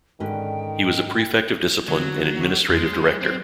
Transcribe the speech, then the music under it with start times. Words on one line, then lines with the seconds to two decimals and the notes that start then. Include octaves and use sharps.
He was a Prefect of Discipline and Administrative Director.
0.20 G#2 D3 D#3 C#4 B4 G5
1.88 D3 F#3
2.69 F2 G#3
2.87 F#3
3.21 C4